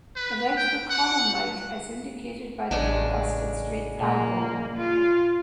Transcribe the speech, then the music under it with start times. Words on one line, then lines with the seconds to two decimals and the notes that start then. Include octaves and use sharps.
The legs were column-like, as indicated by the robust and straight thigh bone.
0.16 B4
0.57 G5
0.90 F#5
2.71 A1 C#3 G#3 D4
3.99 A#2 A#3
4.77 F4